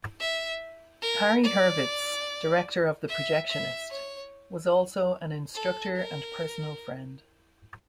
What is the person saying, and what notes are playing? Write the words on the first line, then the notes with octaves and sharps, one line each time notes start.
Harry Hurwitz, director of "The Projectionist" was also an instructor and personal friend.
E5
A#4
D5
E5
E5
C#5
A4
A#4